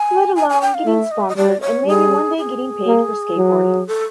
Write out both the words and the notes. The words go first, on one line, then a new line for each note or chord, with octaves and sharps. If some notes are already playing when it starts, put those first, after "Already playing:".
Let alone getting sponsored and maybe one day getting paid for skateboarding.
Already playing: G#5
G#5
G#5
G5
F5
A3 E5
D#5
E5
D#5
G3 D5
C#5
G3 G#4
G#4
A#3
F#3
A4